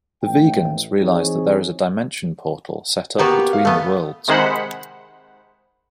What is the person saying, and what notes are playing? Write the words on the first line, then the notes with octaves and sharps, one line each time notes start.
The Vegans realize that there is a dimension portal set up between the worlds.
A1 G5
E3 C4 D#4 G#4 C#5
A#3 B3 F#4 G4
F5
A3 B3
C3 D#3 G#3 C5 F#5 B5